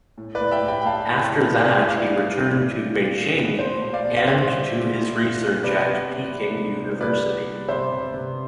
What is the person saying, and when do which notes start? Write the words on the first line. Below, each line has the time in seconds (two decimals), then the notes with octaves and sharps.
After that, he returned to Beijing and to his research at Peking University.
0.18 A2
0.35 B4 D5
0.41 A2
0.51 E5 G5
0.63 A2
0.68 G5 B5
0.81 G5
0.85 A2 F5 A5
1.09 A2
1.32 B3
1.54 A2 D5 F5
1.77 A2 E5
1.88 D5 F5
1.99 G3
2.23 G3
2.45 A2
2.69 A2
2.91 G3
3.13 B2
3.36 B3
3.59 B3 C5
3.82 B2
3.93 D5 F5
4.05 B2
4.16 F5
4.27 B2 C5 E5
4.50 G3
4.72 B2
4.95 B3
5.18 B2
5.42 B2
5.63 C3 B4 D5
5.87 C3
6.10 B3
6.33 B3
6.55 B3
6.78 C3
7.01 G3 B4 D5
7.24 B3
7.46 G3
7.68 C3 C5 E5
7.91 C3
8.14 C3